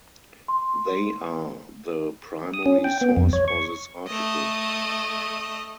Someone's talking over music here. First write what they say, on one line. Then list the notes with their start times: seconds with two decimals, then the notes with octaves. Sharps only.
They are the primary source for this article.
0.48 C6
2.54 D#6
2.66 C#4
2.84 G5
3.01 B3
3.17 F2
3.33 C#5
3.48 C#6
4.07 A3 D#5